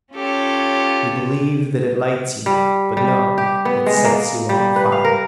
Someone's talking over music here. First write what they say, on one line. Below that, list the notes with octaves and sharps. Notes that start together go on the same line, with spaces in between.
You believe that it lights you; but no, it sets you on fire.
C#4 F4 G4 A4 C#5
G3
G3
G4
B3
G#3
A#3
G3
B4
F5
A#4